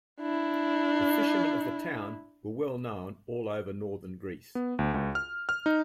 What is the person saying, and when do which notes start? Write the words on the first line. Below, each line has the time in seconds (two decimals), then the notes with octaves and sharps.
The fishermen of the town were well known all over northern Greece.
0.20 D4 E4
4.55 B3
4.79 D2
4.94 C#2
5.15 F6
5.49 F6
5.66 D#4